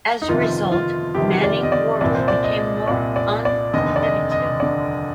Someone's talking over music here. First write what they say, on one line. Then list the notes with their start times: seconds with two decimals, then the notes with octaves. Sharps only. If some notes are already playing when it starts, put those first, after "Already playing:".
As a result, Manning Wardle became more uncompetitive.
0.22 D#4
0.28 G1 F2 C3 D#3 F4
0.72 F4
1.15 G1 F2 C3 D#3 G4
1.44 D5
1.63 D#5
1.72 D5
2.01 C2 A#2 D5
2.15 C5
2.28 D5
2.44 D#5
2.87 C2 A#2 D5
3.16 D5
3.45 D5
3.73 F1 D#2 D3 D#5
3.96 D5
4.03 D#5
4.31 D#5
4.60 D3 D5